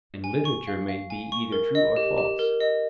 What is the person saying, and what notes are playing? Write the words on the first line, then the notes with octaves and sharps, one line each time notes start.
And literature may be either true or false?
G#5
C#6
F5
F5
G#5
C#6
A#4
D#5
G4
G4
A#4
D#5